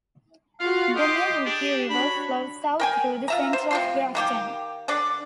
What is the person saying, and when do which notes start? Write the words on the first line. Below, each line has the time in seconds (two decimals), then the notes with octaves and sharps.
The Milwaukee River flows south through the center of Grafton.
0.60 F4 F#4 F5 F#5
0.96 G4 D#5 C6 D6
1.45 D4 G4
1.90 D4 F#4 C#5 B5
2.80 A#4 G5 G#5
3.28 F4 E5 A#5
3.53 C5
3.71 C3 F4 C6
4.15 D#3 A#3 G4
4.88 D3 D4 D5